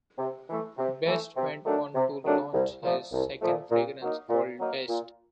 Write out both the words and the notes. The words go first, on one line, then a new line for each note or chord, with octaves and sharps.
Best went on to launch his second fragrance, called "Best".
C3
E3 A3
C3
E3 A3
C3
D#3 F#3 A3 D4
C3
D#3 F#3 A3 D4
C2
A#2 F3 A3
C2
A#2 F3 A3
A#2
F#3 A#3 D#4
A#2
F#3 A#3 D#4
A#2